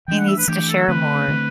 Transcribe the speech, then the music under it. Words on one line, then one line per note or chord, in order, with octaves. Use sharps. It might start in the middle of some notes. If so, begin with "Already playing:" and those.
he needs to share more."
E3 A3 D4 G5
F#5
E5
B4
E3 A3 D4 G4
A4
D3 A3 C4 B4
D3 A3 C4